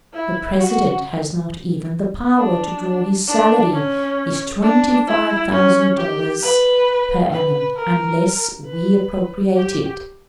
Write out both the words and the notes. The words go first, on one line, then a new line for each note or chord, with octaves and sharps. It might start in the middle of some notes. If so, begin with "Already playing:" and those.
The President has not even the power to draw his salary--his twenty-five thousand dollars per annum--unless we appropriate it.
E4
F#4
D4
D4
C#4
D4
E4
C#4
G4
B4
B4
A#4
B4
G4